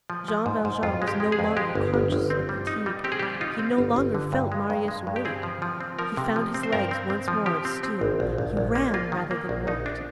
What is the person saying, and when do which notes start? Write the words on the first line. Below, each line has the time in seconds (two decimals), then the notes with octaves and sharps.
Jean Valjean was no longer conscious of fatigue, he no longer felt Marius' weight, he found his legs once more of steel, he ran rather than walked.
0.10 F3
0.28 F3
0.46 G#2
0.65 G#2
0.83 F2 F4
1.02 G#3
1.08 G4
1.20 G#3
1.32 G#4
1.39 F2
1.57 G#3 G4
1.75 G1
1.94 G1
2.12 G1
2.30 C4
2.49 G3
2.67 D#4
2.86 G3
3.04 C4 G4
3.12 G#4
3.19 G3 G4
3.41 D#4 F4
3.59 C4
3.78 G1
3.96 G1
4.15 D3
4.33 G2
4.52 G#3
4.70 G2
4.88 G#3
5.07 G2
5.16 G4
5.25 C4 G#4
5.43 F3
5.62 F3
5.80 C4
5.99 F3 A#4
6.17 C3
6.36 F3
6.54 C4
6.63 C5
6.73 G2 A#4
6.91 C4
7.10 C4
7.28 F3
7.46 F3 G4
7.65 C4
7.83 C4
8.01 G#1
8.20 A#1
8.38 A#1
8.57 A#1
8.75 A#3
8.94 A#3 F4
9.12 D#3
9.31 A#3
9.49 A#1
9.67 A#1 D#4
9.86 D4